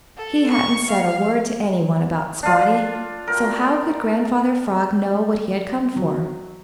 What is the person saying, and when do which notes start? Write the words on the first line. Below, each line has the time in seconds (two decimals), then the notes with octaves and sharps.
He hadn't said a word to any one about Spotty, so how could Grandfather Frog know what he had come for?
0.17 A4
0.52 C#6
0.88 F5
2.43 D4 F4
3.27 A#4 G5
5.96 F#3